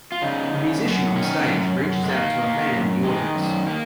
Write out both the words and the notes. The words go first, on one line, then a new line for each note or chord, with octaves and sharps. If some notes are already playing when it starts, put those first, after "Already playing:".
A musician on stage reaches out to a fan in the audience.
F4
C#3 D#4
C#3
F#2
D#3 C#4
F#2
F#2
G#3
D#3 A#3
D#3
F#2
D#3 G#3
F#2
A#3